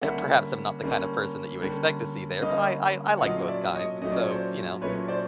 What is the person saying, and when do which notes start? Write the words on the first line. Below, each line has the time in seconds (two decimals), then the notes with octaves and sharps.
uh, perhaps I'm not the kind of person that you would expect to see there, but I I I like both kinds. And so, you know?
0.01 D3 G3 A#3 C#4 E5 F#5
0.82 D3 G3 A#3 C#4
1.61 D3 G3 A#3 C#4
2.41 D3 G3 A#3 C#4 D#5 F5
3.18 F#5
3.22 A#2 F#3 A3 C#4 D#5 F5
3.48 D5 E5
3.75 C#5 D#5
4.02 A#2 F#3 A3 C#4 D#5
4.12 D5
4.22 C#5
4.31 C5 D5
4.81 A#2 F#3 A3 C#4 B4 C#5
5.08 C5 D5